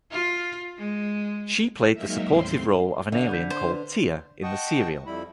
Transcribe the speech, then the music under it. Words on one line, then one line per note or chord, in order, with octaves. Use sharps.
She played the supportive role of an alien called "Tia" in the serial.
F4
G#3
F#3 G#3 A#3 D#4 A#4 E5
D#2 A2 C4 C6
D3 E5 F7
B5 G6 B6
C5
B4
D#5 F#5 G5 A5 C#6 D#6
F2 G3 E4 B5